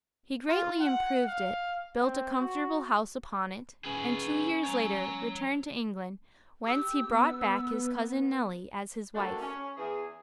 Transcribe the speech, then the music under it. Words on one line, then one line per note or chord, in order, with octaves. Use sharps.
He greatly improved it, built a comfortable house upon it, and two years later returned to England, whence he brought back his Cousin Nelly as his wife.
F4
F#5
F5
C4
F#4
C#4 G#4 B4
C#5 A#5
G4 E6
B3
C3 A3 A#3 D4 F#4 A4
C#4
E2 E3 E4 G#4